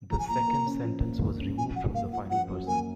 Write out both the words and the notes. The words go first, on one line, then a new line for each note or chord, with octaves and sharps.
The second sentence was removed from the final version.
F3 A#5
G#5
A#2 A#5
A#3
C#4
F3
A#2
A#3
C#4
F3 G#5
F#2 F#5
A#3 F5
F4 F#5
F3 F#5
F#2
A#3 G#5